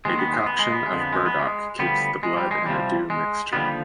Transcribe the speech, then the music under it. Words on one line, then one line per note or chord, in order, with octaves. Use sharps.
A decoction of burdock keeps the blood in a due mixture.
D#2 D#3 G#3
B3
G#3
B3
G#3
B3
G#3
F2 D3 F3
B3
G#3
B3
G#3
D2 D3 F3 G3 B3
G#3
G3
G#3
C2 C3 F3 G3
G#3
D#2 D3 F3 G3 B3